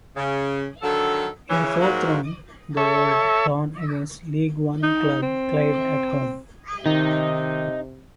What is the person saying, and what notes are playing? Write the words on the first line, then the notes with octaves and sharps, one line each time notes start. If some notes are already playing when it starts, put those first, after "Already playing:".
In the fourth round they were drawn against League One club Clyde at home.
C#3
D3 D#3 F#3 A4
C#3 E3 C#4
G#2 F#3 A#3
A4 C#5 E5
D#4
C4
C3 D#3 D#4